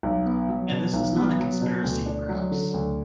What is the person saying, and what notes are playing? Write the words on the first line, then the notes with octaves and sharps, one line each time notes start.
And this is not a conspiracy, perhaps?
B1
B3
F#3
B2
B1
B3
F#3
B2
D2
D4
F#3
D3
D2